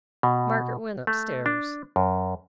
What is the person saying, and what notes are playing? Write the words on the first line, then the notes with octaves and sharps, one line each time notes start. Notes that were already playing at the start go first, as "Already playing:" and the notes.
Margaret went upstairs.
B2
A3
D4
F#2